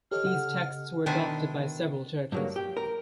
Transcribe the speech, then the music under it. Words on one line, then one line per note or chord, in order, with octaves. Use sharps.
These texts were adopted by several churches.
G4 A4 C#5 D#5 F6
C#3 F#5
B2 D#3 D4 E4 C5 G#5
G2 F#3 A#3
G4
A#4